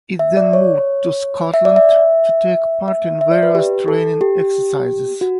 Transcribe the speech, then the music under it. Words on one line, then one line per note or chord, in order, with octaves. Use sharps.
It then moved to Scotland to take part in various training exercises.
E5
D5
C#5
E5
D5
E5
E5
E5
D5
B4
G4
A4
G4
F#4